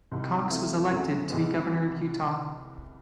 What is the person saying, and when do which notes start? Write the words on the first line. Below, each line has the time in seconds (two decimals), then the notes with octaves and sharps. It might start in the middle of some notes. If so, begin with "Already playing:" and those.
Cox was elected to be Governor of Utah.
0.11 C2 C3 D#3 G3
0.51 C3 F3 A3 C4 E4
0.91 F#2 C#3 F#3 A3 C4
1.30 C2 C3 E3 G#3 B3